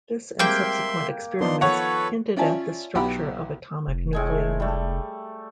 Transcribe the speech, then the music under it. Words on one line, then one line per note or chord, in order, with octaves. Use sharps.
This and subsequent experiments hinted at the structure of atomic nuclei.
G3 G#3 A#3 C4 E5 G5 C6
D#3 F3 B3 D4 D#4 C6
A4 B4 C#5 F#5
C#4 F4 D5 E5 G#5 A5
B1 G4 F#5 B5
F1
A2 G#3 G#5
G3 A3